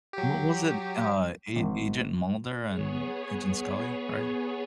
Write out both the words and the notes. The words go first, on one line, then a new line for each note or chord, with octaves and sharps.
What was it, uh, A Agent Mulder and Agent Scully, right?
F#3 G4
G#1
B3 G#4 C#5